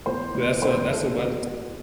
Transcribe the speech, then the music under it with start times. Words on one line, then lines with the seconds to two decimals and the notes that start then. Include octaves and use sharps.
That's a that's a webs
0.06 E2 C5
0.35 E2
0.62 E2 C5
0.90 E2 A4
1.18 E2 F#4
1.46 E2 F#4